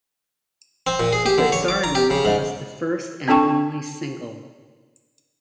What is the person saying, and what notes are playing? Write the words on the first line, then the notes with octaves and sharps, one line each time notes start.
"Secret Garden" was the first and only single.
C4
A#2
G#4
G4
D3
C#5
D6
A#5
G4
C#3
G#2
C4 D4 A4 G5 A5 C#6